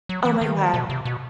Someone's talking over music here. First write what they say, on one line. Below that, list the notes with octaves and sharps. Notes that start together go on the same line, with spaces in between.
Oh my god,
F#3
E3
D#3
E3
D#3
B2
C3
B2